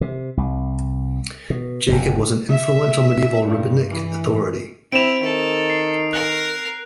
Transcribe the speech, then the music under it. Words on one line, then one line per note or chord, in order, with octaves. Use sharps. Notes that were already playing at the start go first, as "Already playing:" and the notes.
Jacob was an influential Medieval rabbinic authority.
C3
C2
B2
F#1 F#2 D3
E5
G2
E3
C4 E4 D7 E7 F7
D#3 A4
C7
A#4 A#5 F#6